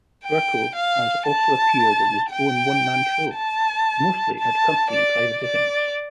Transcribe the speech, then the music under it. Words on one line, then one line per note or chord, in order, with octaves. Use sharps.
Bircow has also appeared in his own one-man-show, mostly at company and private events.
G5
F5
A5
G5
A5
A5
D5
D5